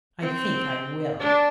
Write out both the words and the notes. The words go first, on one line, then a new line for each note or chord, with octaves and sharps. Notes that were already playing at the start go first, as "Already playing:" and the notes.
I think I will.
C4
D4